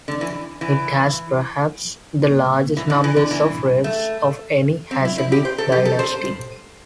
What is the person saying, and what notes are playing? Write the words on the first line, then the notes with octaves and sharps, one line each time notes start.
It has perhaps the largest numbers of rebbes of any Hasidic dynasty.
D3
E3
E3
E3
D3
E3
D3
E3
A3
C4
E4
E4
G4
C5
A4
G4
A4
C5